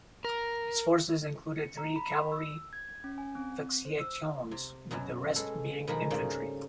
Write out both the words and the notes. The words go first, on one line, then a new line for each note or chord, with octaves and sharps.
His forces included three cavalry "vexillationes" with the rest being infantry.
A#4
C#7
A#5
B5
E6
G#6
C#4
G#5
C4
C5
E6
C3
F#2 B2 F#3 A5
B2 G#3 A4
B2 D#3 F3 G#3 A#4 B5
G#2 C#3 G3 A3 A#3 C4